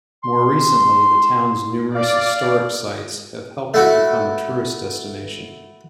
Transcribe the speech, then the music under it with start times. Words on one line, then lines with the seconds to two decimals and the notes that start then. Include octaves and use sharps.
More recently, the town's numerous historic sites have helped it become a tourist destination.
0.23 C6
1.95 D5 F5
3.74 A3 E4 F#4